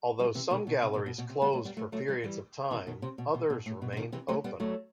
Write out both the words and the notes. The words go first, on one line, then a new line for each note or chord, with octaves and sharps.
Although some galleries closed for periods of time, others remained open.
E3 G3
C3 E3
B2 D#3
B2
C3
B2 D#3
B2
B2
C3
G3 B3
F#3 A3
G3 B3
F#3 A3
F#3 A3
E3 G3
E3 G3
C3 E3
B2 D#3
C3
B2
B2
B2
A2
B2
C3
B2 D#3
C3 E3
F#3 A3
G3 B3
F#3 A3